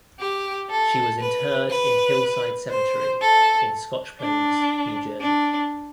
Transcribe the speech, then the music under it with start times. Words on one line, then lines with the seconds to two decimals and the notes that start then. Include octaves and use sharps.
She was interred in Hillside Cemetery in Scotch Plains, New Jersey.
0.19 G4
0.70 A4
1.20 B4
1.70 B4
2.70 C5
3.21 A4
4.21 D4
5.21 D4